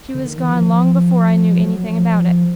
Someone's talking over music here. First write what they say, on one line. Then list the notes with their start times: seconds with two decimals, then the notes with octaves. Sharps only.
She was gone long before I knew any thing about it.
0.15 D3
0.26 D#3
0.38 E3
0.50 F3
1.60 F#3
1.89 F3
2.15 F3